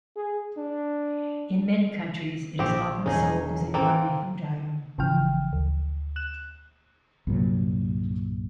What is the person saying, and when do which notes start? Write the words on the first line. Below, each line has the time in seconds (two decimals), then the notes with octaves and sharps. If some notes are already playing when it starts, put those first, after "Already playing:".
In many countries, it is often sold as a gourmet food item.
0.16 G#4
0.57 D4
2.59 A#1 C4 G4
3.06 E1 C#4 D#4 G#4
3.74 A1 A#3 C4 A4
4.98 G#1 C#3 E3 F3 G5 F6
5.53 D2
6.16 F#6 E7
7.27 C2 G2 A#2 F#3